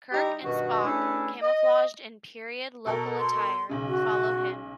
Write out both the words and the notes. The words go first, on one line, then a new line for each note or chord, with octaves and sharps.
Kirk and Spock, camouflaged in period local attire, follow him.
G3 D#4 E4 G4
G2 B2 D#3 F#4
A3 C#4 D4 E4 G#4 B4
D#5
B2 A4 A#4
C6
B1 C#3
F#4